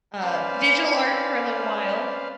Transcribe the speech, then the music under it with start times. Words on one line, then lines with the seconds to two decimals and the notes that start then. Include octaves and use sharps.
uh, digital art for a little while.
0.23 C#4 B4 C5 D5 F5